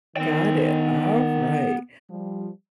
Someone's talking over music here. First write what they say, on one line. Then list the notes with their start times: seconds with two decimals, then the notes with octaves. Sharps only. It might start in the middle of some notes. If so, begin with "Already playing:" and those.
got it, all right.
0.17 D#3 B3 G5
2.09 F3 G3